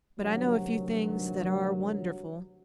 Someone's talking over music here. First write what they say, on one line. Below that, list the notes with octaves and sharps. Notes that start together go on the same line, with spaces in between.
But I know a few things that are wonderful.
D2 G2 C3 D#3 F#3